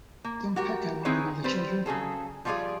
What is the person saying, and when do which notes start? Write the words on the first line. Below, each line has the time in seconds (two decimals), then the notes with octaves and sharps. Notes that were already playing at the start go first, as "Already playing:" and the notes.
Don't peck at one another, children.
0.24 A#3
0.56 F#4 G4 A#4
1.05 C4 D#4 E4 G#4 B4 C#5
1.44 G3 C4 B4 C5
1.86 C#3 F#3 G#4 A4
2.45 F3 G3 F4 G4 G#4 D5